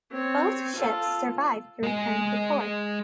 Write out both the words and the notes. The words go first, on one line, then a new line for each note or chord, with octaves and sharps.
Both ships survived to return to port.
C4 C#5
F4 A4
G#3 G#4